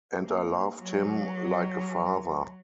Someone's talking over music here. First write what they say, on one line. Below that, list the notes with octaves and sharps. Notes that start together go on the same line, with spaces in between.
And I loved him like a father.
A#3
F#3